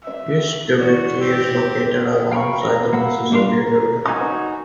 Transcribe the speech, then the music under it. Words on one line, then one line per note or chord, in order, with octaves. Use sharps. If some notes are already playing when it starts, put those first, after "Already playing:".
East Dubuque is located alongside the Mississippi River.
E5
E3 D4 F#4 C#5
C4 G4
F5 G5 A#5 B5 C#6
A#5
A#3 F#5 B5 E6
G3 A#3 D4 F5 C6
A#4
D#4 F#4 G#5